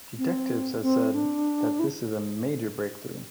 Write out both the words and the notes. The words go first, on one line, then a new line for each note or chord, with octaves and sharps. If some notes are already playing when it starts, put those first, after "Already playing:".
Detectives have said that this is a "major breakthrough".
C4
C4
D4
E4